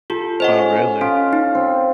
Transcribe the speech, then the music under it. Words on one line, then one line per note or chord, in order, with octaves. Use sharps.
Oh, really?
F4 G4 A4
C#4 C5 D#5 F#5
C#4 F4
D#4
C4